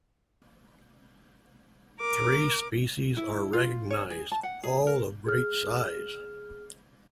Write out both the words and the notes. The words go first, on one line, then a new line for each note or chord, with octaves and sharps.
Three species are recognized, all of great size.
A#4 D6
E4
F4
C#5
G#4
A5
F#5
G#4
A#4
G#4 F6